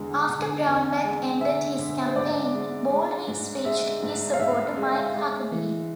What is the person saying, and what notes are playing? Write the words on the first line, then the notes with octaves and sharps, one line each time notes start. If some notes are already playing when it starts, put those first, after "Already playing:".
After Brownback ended his campaign, Baldwin switched his support to Mike Huckabee.
Already playing: E2 D3 G#3
D3
E2 G#5
G#3
D3 E5
D3
C5
G#2 D5
G#3
G#3
G#2
G#3 E5
G#2
F5
G#2 E5
G#3
G#3
E3